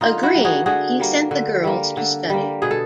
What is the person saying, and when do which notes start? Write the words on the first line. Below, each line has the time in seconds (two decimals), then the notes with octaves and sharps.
Agreeing, he sent the girls to study.
0.01 D3 D#4 F4
0.23 E4 F#4
0.34 G3 A#3
0.45 F#4 G#4
0.66 D3 F#4 G#4
1.00 G3 A#3
1.31 D3
1.64 G3 A#3
1.97 D3
2.30 G3 A#3
2.62 B2 G#4
2.71 A4